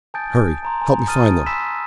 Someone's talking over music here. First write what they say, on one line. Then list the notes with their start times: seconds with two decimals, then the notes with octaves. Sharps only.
"Hurry, help me find them."
0.14 G#5 A5 D#6 G6 A6 D7
0.63 A5 A#5 C6
0.81 G#5 A#5
1.07 A5 D#6 F6 A6 D#7
1.46 G#5 B5 C6 E6 B6 E7